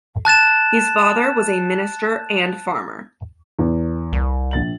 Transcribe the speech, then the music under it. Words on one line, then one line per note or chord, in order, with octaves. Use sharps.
His father was a minister and farmer.
A5 F#6 A6 E7
E2
C2
A#1 A6 F#7